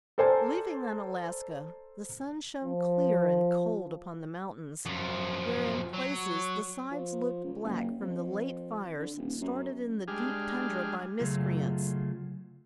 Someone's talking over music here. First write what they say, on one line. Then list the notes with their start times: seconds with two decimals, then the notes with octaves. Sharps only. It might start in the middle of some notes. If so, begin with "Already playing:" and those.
Leaving Unalaska the sun shone clear and cold upon the mountains where in places the sides looked black from the late fires started in the deep tundra by miscreants.
0.18 A4 A#4 C5 D5 G#5 A5
2.64 F3
4.86 F#2 F3
5.94 F#3
6.91 F3
7.44 C#2
7.65 F#1
8.01 F2
8.99 D3
9.17 D#1
9.41 F#2
10.08 G3 G#3 D4 G#4 F6
11.20 C#3 F#3 A3 F4 G#4